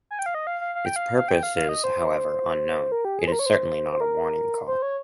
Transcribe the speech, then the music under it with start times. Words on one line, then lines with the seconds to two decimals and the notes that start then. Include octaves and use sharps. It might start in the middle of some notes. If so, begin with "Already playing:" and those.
Its purpose is, however, unknown; it is certainly not a warning call.
0.11 G#5
0.19 G5
0.26 F5
0.35 D#5
0.47 F5
0.61 F5
0.75 F5
0.86 G5
0.96 F5
1.18 F5
1.28 G5
1.43 F5
1.56 F5
1.69 D#5
1.84 C5
2.92 A#4
3.05 G4
3.19 G#4
3.28 C5
3.32 A#4
3.39 C#5
3.46 C5
3.92 C5
4.01 A#4
4.68 C5
4.82 C#5